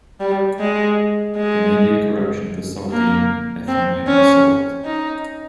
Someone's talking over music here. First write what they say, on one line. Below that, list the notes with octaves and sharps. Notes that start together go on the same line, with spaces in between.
It may be a corruption of the Sogdian ethnonym Soghd.
G3
G#3
G#3
A#3
C4
C#4
D#4